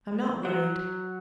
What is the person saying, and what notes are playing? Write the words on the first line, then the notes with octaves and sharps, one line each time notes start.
"I'm not worried."
F#3